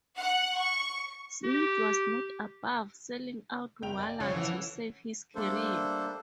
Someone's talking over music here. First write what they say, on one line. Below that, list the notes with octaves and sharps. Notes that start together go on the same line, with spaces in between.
Smith was not above selling out Waller to save his career.
F#5
C#6
G4
F#1 G5 F7
D5 G#5
C#3 F3 F4 C#5 F#5 C7
E3 A4 F#5
G3 A3 A#3 D4 A4 C5